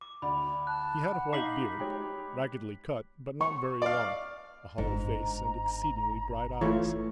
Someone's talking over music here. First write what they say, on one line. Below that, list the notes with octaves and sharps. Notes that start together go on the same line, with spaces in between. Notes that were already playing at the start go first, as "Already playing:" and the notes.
He had a white beard, raggedly cut, but not very long, a hollow face, and exceedingly bright eyes.
D6
D2 D5 B5
A5 F#6
F#5
D#4 D#5 F5 D6 B6 C7 F#7
G#3 G4 C#5
C#6
D5 F5
G1 G#2 A#5
E3 A3 F4 C#5